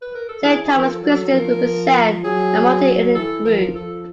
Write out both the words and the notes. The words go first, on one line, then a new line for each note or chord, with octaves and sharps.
Saint Thomas Christians represent a multi ethnic group.
B4
A#4
A4
E3 G#4
E3 G#4
F3
A#4
A4
F#3
A4
F#3
F3 A#4
F#3 G#4
E3 A4
F3 A#4
F3 A4